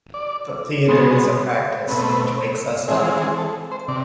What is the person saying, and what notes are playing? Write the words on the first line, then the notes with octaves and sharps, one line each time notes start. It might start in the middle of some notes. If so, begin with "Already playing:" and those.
The theatre is a practice, which wakes us up.
D5
B2 G#3 B3 C5
B2 A3 C4 B4
E3 G#3 C4 G#4
F4
G#4
A4
C5
C3 D5